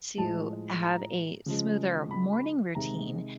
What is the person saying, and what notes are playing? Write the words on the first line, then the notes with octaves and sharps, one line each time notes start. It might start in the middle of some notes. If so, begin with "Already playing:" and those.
to have a smoother morning routine,
A2 F3 G#3 A5
A#5
C#3 F3 G#3
B5
B5
C3 D#3 G#3 A#5